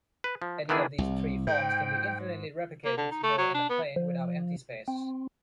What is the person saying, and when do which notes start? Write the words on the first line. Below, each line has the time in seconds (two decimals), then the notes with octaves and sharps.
Any of these three forms can be infinitely replicated to fill in a plane without empty spaces.
0.24 B4
0.42 F3
0.69 D#3 E3 B3 D4 E4 G#4
0.98 C2
1.47 G#2 G5
2.85 A#3
2.97 D3
3.11 D#4
3.23 A3
3.38 F#3
3.54 D4
3.69 B3
3.96 F3
4.88 C4